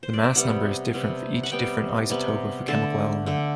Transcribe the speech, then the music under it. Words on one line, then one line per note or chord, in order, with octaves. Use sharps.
The mass number is different for each different isotope of a chemical element.
C5
D5
E5
C3 G3 B3 F#5
C3 G3 B3
F#5
C3 G3 B3 G5
C3 G3 B3
D3 A3 A5
D3 A3